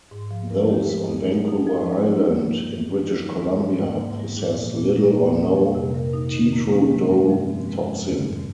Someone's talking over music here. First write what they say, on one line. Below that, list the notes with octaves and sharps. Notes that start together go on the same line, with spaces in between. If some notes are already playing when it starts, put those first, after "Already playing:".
Those on Vancouver Island, in British Columbia, possess little or no tetrodotoxin.
G#2
F3
A#4
G4
G#3
D#4
G#4
D#4
F3
C4
F4
A#3
G2
G3
D#3
D#4
D#3
G#3
G#2
A#3
G#2
G3
A#2
A#3
A#2
G3
A#3
G3
F2
C3
A#4
D#4
D#3
A#3
C#4
G#3
G2
F3
C4
G#3
F2
D#3
G#2